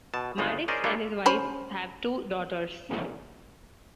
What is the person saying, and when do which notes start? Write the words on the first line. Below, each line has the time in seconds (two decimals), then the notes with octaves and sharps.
Maddux and his wife have two daughters.
0.14 B2 A5
0.38 G1 C#3 D#4 F4 C5 F#5
0.68 C#4 G#4 A#4 C5 D5 D#5
0.84 G3 A#3 D4 F4 C#5 E5
1.26 C#4 C5 B5